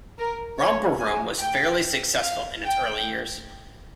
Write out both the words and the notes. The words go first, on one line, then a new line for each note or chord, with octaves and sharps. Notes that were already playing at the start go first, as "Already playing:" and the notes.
"Romper Room" was fairly successful in its early years.
A#4
C#5
G#5
G5
F5
G5